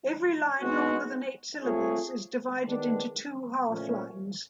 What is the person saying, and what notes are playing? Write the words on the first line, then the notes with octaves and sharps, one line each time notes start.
Every line longer than eight syllables is divided into two half-lines.
G#3 B3 D#4 F#4
A3 C4 F4 G#4 C#5
D#3 G#3 B3 D4
A#2 F3 A3 C#4